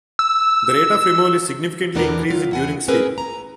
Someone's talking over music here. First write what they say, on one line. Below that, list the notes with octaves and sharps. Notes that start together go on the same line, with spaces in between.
The rate of removal is significantly increased during sleep.
E6
E2 B2 E3 D4 A#4
F#3 F4
E2 F#5 G#5
C4 C#4 G#4 A#4 B4
A#5